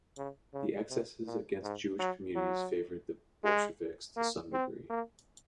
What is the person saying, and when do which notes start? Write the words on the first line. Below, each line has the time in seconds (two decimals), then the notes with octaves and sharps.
The excesses against Jewish communities favored the Bolsheviks to some degree.
0.17 C#3
0.54 C#3
0.90 C3
1.26 A#2
1.63 G#2
1.99 F#3
2.36 F#3
3.44 G#3
4.17 A#3
4.53 C4
4.90 A#3